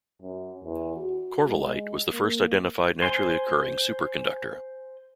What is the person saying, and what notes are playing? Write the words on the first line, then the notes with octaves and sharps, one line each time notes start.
Covellite was the first identified naturally occurring superconductor.
F#2
E2
F#4
G#3
A#3
C5 G#5 C6